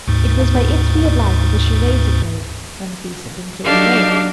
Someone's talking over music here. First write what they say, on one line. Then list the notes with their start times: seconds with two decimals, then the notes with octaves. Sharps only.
It was by its weird light that the charades were played, when the feast had been cleared away.
0.08 D2 G#2
3.64 F#3 D4 D#4 G4 A4 F5